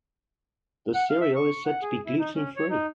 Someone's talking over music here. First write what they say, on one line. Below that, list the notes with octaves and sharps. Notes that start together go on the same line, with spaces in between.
The cereal is said to be gluten free.
F#5
F5
E5
C#6
F#5
G#4
E4
D#4
C#4
C#5
D#4